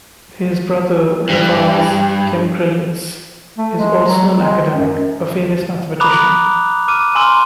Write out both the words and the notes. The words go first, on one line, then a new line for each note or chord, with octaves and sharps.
His brother Revaz Gamkrelidze is also an Academic, a famous mathematician.
G2
A3
G#3
F#3
G#3
F#2
A#5 B5 D6 D#6 F#6 F7
D6 F6 D#7
G#5 A#5 C6 E6 F6